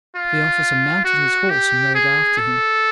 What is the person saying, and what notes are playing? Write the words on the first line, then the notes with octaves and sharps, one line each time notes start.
The officer mounted his horse and rode after him.
F4
F#4
G4
G#4
A4